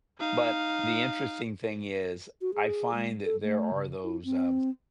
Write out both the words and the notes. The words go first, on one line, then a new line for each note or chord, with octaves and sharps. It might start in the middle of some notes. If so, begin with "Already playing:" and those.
but the interesting thing is I find that there are those, uh,
D#4 F5
F#4
G#4
G#3
A4
A3
C#3
E4
C4